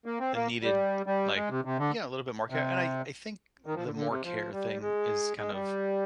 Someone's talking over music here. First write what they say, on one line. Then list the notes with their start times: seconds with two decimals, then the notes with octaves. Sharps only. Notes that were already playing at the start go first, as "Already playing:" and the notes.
that needed, like Yeah, a little bit more care, and I I think the more care thing is kind of,
0.06 A#3
0.20 C4
0.35 A#3
0.63 G3
1.06 G3
1.36 G#3
1.50 C3
1.65 C3
1.78 D3
2.50 C3
3.66 D#3
3.75 F3
3.85 D3
3.95 D3
4.09 C3
4.24 F3
4.52 G3
4.81 G#3
5.38 G#3
5.52 G3